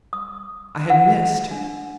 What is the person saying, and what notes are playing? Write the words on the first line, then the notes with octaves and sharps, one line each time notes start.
I had missed!
D#6
F#5
D4